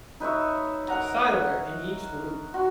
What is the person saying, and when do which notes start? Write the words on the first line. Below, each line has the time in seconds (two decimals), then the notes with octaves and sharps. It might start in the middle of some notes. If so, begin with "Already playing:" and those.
Siler in each loop.
0.20 D#4 B4 C#5 E5
0.88 A#4 F#5 A#5
2.54 F#4